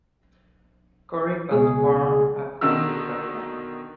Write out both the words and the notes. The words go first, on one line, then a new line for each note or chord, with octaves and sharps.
Corry was born at Quincy, Florida.
C#2 B2 G#3 G#4
B2 D3 D#3 E6